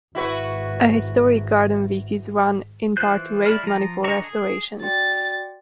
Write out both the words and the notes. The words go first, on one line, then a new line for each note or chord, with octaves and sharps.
A Historic Garden Week is run, in part to raise money for restorations.
G#1 E4 F#4 B4
E3 F4 C5 F#6 G6
G#3 E4 D5 B5 F6
F3 A#5
D3 A4 D#5 A#5 C#6
G#4
F#4 D5 G5 A6